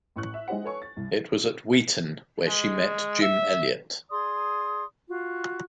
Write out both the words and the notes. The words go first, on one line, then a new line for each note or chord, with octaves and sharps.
It was at Wheaton where she met Jim Elliot.
A1 C#6 F#6
E5
G#3 D#4 G4 C5 F#5
A4 B4 C#5 G#5 C#6
A6
C2
G#3
E5
G#4 D5 C6 D#6
F4 F#4